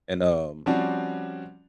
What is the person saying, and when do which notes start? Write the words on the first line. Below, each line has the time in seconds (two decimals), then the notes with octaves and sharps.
and, um,
0.66 F3 G3 C4 C#4 F#4 D5